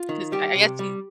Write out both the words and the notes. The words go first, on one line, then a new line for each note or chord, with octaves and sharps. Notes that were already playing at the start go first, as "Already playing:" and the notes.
'Cause I I guess he
Already playing: F4
D#3
G3 G4
C3
G3